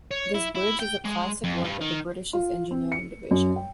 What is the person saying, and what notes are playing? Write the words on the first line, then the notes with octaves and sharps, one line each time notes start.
This bridge is a classic work of the British's engineering division.
C#5
E4
E4
G5
G#3
F2
G2
D#3
F4
C4
C#7
F#2
G5